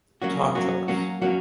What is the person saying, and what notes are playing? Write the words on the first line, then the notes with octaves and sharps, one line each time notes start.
Talk to us.
F#3 A#3 C#4 F#4
F#3 A#3 C#4 F#4
F#3 A#3 C#4 F#4
F#3 A#3 C#4 F#4